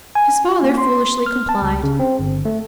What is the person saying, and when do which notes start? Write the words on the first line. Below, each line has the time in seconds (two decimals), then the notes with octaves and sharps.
His father foolishly complied.
0.15 G#5
0.44 F4
0.63 A#3
0.78 C6
1.26 F6
1.49 A5
1.62 C#2
1.83 C#3
1.99 C4
2.19 G1
2.45 A3